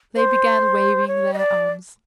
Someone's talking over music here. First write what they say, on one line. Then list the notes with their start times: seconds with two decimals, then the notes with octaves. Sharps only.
They began waving their arms.
0.16 C5
1.08 C#5
1.33 D#5
1.38 D5